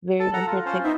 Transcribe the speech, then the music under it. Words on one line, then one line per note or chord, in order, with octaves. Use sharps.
very unpretic
A4 A5
A4 F#5 A#5
F4
C#4 F4 C5
B3 D#4 C5 E5